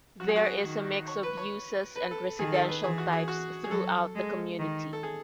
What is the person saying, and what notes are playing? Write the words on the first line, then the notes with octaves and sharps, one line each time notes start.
There is a mix of uses and residential types throughout the community.
F#3 F#4
G#4
F#4
D#3
C#5
B4
C#5
B4
A4
D#3 G#4
A4
A4
B4
E3 G#4
F#4
G#4
F#4
G#4
F#3 A4
G#3
D#3
A4
G#4